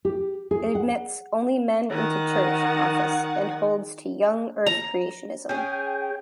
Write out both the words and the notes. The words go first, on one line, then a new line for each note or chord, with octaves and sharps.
It admits only men into church office and holds to Young Earth creationism.
G4
G#4
F#5
D#3 F#5
A#5
C#4 G#4 G5